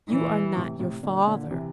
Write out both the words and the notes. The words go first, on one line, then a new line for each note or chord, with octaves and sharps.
'You are not your father.'
A#2 E3
A2 C3
A2 C3
A#2 D3
A#2 D3
C3 E3